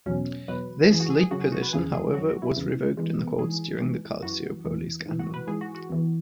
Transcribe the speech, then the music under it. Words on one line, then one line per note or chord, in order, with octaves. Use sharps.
This league position, however, was revoked in the courts during the "Calciopoli" scandal.
E2 B2 F#3 C#4
E2 B2 F#3 B4
F#2 E3 G#4
F#4
G#4
G#4
F#2 C#3 F#3 F#4
G#4
F#4
B4
E2 C#3 E3 G#4
G#4
F#2 F#3 F#4
F#4
E4
E2 C#3 E3
E2 E3 G#3
B3
G#2 E3 G#4
G#2 E3
F#2 E3 F#4
E2 E3
G#2 E3
F#4
B4
G#2 E3 G#4
F#4
F#4
E2 E3